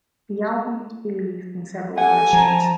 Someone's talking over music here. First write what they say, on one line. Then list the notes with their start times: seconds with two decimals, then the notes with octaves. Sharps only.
The album was released in several versions.
1.98 G4 A4 F#5 G#5
2.33 F3 A5 A#5